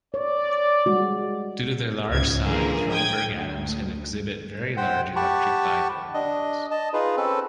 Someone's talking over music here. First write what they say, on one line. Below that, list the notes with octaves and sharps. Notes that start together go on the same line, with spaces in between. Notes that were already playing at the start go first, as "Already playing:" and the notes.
Due to their large size, Rydberg atoms can exhibit very large electric dipole moments.
C#5 D5
G3 G#3 F#4
C#2 G#2 C#3 G#6
D3 E3 F3 A#3 G#4 A#4
G5 D#6 G#6
D2
C5 F#5 G5
G4 F#5 A5 B5 C#6
D4 D#5
D#5 A5
D#4 F4 G#4 B4
C4 C#4 A4 B4